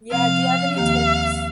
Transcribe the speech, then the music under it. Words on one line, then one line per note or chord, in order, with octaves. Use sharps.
Yeah, do you have any tips?
C3 F3 C4 F5
D#2 D#3 A#3 G4 F5